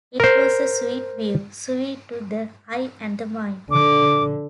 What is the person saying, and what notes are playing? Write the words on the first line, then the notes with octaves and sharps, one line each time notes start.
It was a sweet view: sweet to the eye and the mind.
A#4 C5
D3 D6